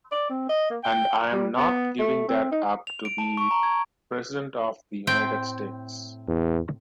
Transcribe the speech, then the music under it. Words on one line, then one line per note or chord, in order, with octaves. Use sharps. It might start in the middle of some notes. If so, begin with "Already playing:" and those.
And I'm not giving that up to be President of the United States.
D5
C4
D#5
A#3
G5
G3
B3
A3
C4
D#4
F7
D7
A5
C#6
A#5
G#6
A2 C4 G5
E2